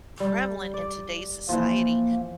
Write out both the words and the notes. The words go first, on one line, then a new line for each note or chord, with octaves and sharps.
prevalent in today's society,
G3
D5
E3 F3 A#3